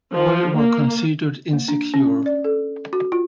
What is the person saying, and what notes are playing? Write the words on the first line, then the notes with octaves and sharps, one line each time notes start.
All were considered insecure.
F3
A#3
A#3
D4
C#4
D5
A4
F#4
F4